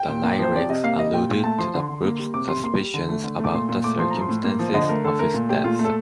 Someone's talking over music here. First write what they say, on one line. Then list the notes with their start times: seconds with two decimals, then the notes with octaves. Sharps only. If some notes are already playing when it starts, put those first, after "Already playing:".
The lyrics alluded to the group's suspicions about the circumstances of his death.
Already playing: G5
0.09 A#2
0.23 A#3
0.39 F3 C5
0.54 C3 D5
0.69 C3 D#5
0.84 A#3 F5
0.99 G3 D#5
1.14 A#2 G5
1.29 A#2
1.43 A3 A5
1.58 F3 C6
1.74 D3
1.89 D3
2.04 A#3
2.19 G3
2.34 C3 D6
2.49 C3 C6
2.64 A#3 C6
2.79 G3
2.94 D3
3.09 A3
3.23 D3
3.39 A3
3.44 D6
3.54 A#2 C6
3.69 A#2
3.84 A3 D6
3.99 F3 C6
4.10 A2 A#5
4.21 C6
4.29 A2
4.44 A#3
4.59 F3
4.74 D3 D#5
4.89 A3 A#4
5.04 D3 A4
5.19 A3 A#4
5.34 A#2
5.49 A3 G4
5.64 A#2 F4
5.79 A3
5.84 A4